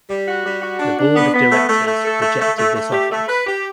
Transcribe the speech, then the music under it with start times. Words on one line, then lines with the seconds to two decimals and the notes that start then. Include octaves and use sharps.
The board of directors rejected this offer.
0.08 G3
0.27 F#4
0.45 G3
0.62 F#4
0.79 D4
0.98 D4
1.16 B3
1.33 B3
1.50 A3
1.68 A3
1.87 A3
2.04 A4
2.21 A3
2.40 A3
2.57 A3
2.75 A3
2.92 G4
3.10 A3
3.28 B4
3.46 G4